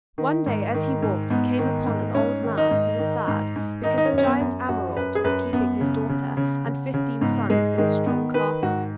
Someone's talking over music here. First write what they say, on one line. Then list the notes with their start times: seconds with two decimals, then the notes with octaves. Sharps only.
One day as he walked he came upon an old man who was sad because the giant Ameraunt was keeping his daughter and fifteen sons in a strong castle.
0.18 D#3
0.46 G#2
0.74 D#3
1.02 G#2
1.30 G#2 B3
1.59 D#3
1.86 G#2
2.15 G#2 C#4
2.43 D#3
2.58 D#4
2.71 G#2
2.99 D#3
3.28 G#2
3.56 G#2
3.84 D#3 D#4
3.98 D#4
4.05 C#4
4.12 F#2
4.18 C#4
4.26 B3
4.40 F#2
4.69 F#2 F#4
4.96 F#2 B4
5.15 G#4
5.24 F#2 B4
5.53 F#2 B3
5.81 C#3
6.09 C#3
6.37 C#3
6.65 C#3
6.94 C#3
7.21 G#2 B3
7.49 G#2 G#3
7.78 D#3 G#3
8.06 D#3 B3
8.34 D#3 B4
8.62 G#2 F#4